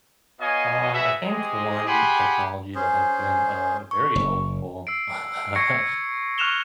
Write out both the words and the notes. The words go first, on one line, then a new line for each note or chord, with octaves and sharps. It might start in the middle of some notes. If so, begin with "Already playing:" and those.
Um, I think one technology that has been, uh, very helpful, uh,
B3 F#4 C#5 D#5 F5 G#5
F#4 G#4 B4 E5
G#3 C4 G4 G#4 D#5
G4 G#4 F#5 G#5 B5 C6
C#4 G#4 C5
C#6
F#1
E6 C7 D7
C#6 G#6 A#6 C7 C#7
C#6 F6 F#6 E7 F7 G7